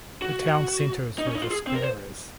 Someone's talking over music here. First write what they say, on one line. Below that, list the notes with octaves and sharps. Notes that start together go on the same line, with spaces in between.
The town centre is where The Square is.
F#4
D#4
C#4
D#4
F4
G#4
C4
A#4
C5